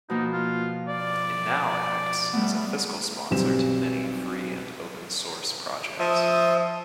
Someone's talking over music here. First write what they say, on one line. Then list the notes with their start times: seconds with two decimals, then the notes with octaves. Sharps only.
It now acts as a fiscal sponsor to many free and open source projects.
0.10 B2 F3 A#3 D#4
0.33 F4
0.88 D5
2.33 G3 A3 B3
3.31 B1 G3 C4 E7
6.00 F3 E5 D#6